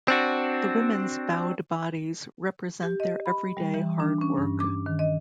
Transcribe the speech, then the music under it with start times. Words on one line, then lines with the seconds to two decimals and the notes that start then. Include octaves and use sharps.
The women's bowed bodies represent their everyday hard work.
0.08 C4 D4 F#4
2.83 G4
3.00 D#5
3.26 B5
3.57 G3
3.74 E3
4.00 D4
4.21 C#4
4.37 G2
4.60 D6
4.86 D#3
4.99 D#5